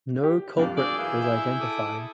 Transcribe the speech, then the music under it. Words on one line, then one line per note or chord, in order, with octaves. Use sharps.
No culprit was identified.
G4
F2 A#3 D4 F4 G4
F#4 G#4 D5 E6 G6
E3 F5
E4
A4 D6 D#6